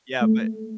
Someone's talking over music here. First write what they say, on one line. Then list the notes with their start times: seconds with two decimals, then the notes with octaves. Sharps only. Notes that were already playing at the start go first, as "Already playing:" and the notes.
yeah, but
0.21 A3